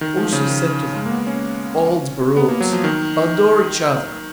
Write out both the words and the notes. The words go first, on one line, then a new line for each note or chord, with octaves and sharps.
Ursus said to them,--"Old brutes, adore each other!"
D#3
F3
C#3
D#3
G#3
A#3
B3
C#4
B3
A#3
F#3
F3
D#3